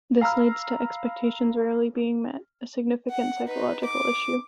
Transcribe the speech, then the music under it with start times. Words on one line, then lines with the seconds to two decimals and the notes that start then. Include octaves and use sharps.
This leads to expectations rarely being met, a significant psychological issue.
0.21 F5 A#5 B5 E6 F6
3.10 F#5
3.45 D#4 B4
3.85 D6